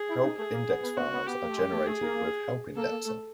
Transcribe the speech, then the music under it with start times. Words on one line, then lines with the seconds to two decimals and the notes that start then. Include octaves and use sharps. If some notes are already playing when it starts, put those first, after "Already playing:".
Help index files are generated with Help Indexer.
Already playing: G#4
0.09 E4
0.23 D#4
0.38 A3 G#4
0.53 A#3
0.68 B3
0.83 B3
0.97 B3 F#4
1.13 B3
1.27 B3 G4
1.42 A#3
1.49 A3
1.57 G#3
1.72 A3
1.86 A3 G#4
2.02 A#3
2.76 A#3 A4
2.91 A#3
3.06 A3